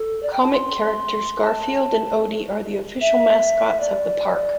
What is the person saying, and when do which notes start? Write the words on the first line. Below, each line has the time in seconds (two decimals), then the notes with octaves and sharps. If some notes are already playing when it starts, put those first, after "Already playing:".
Comic characters Garfield and Odie are the official mascots of the park.
Already playing: A4
0.23 D5
0.33 G5
0.43 A5
0.52 C6
1.42 A5
3.01 E5
3.80 D5